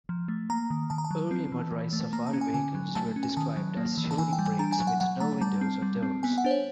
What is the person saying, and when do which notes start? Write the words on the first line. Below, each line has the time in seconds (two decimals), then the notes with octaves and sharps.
Early motorized safari vehicles were described as shooting-brakes with no windows or doors.
0.09 F3
0.28 A3
0.50 A#3 A#5
0.70 D#3
0.90 D#3 A5
0.98 A#5
1.04 A5
1.11 F#3
1.31 C4
1.52 E3
1.72 E3
1.93 A3
2.13 A#3 A#5
2.26 A5
2.33 C#4
2.41 G#5
2.54 D3 G#5
2.75 F#3
2.95 A3 A5
3.16 C#4
3.23 G#5
3.37 D#3 A5
3.57 F#3
3.77 A#3
3.98 E3
4.11 A5
4.18 E3 G#5
4.33 G5
4.39 G3
4.45 G#5
4.59 D4 A#5
4.72 G#5
4.80 F#3
4.87 F#5
5.00 F#3 F#5
5.20 A3 A#5
5.41 G3 A5
5.61 C4
5.82 G3
6.03 C4
6.23 B3 G#5
6.38 F#5
6.44 D4 C5
6.51 C#5